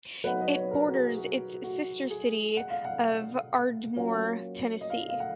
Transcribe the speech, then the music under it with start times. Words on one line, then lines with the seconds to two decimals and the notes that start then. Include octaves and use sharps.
It borders its sister city of Ardmore, Tennessee.
0.24 F#3 B3 D#4 B4
0.41 D#5
0.47 C#5
0.71 A#4
0.88 F#4
0.94 G#4
1.18 F#4
1.64 F#4
2.10 G#4
2.57 F#5
2.70 F5
2.85 F#5
3.96 F#3 A#3 C#4 F4
4.81 D#5
4.90 F5
5.10 F5
5.20 F#5